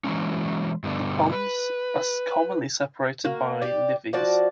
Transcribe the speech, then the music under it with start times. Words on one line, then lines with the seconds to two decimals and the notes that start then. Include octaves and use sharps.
The ponds are commonly separated by levees.
0.04 E3 F#3 G#3 C#4
0.84 G2 B2 D3
1.32 B4
3.24 A#3 F#4
3.62 G4 D5
4.13 F3 F#4 D5 A5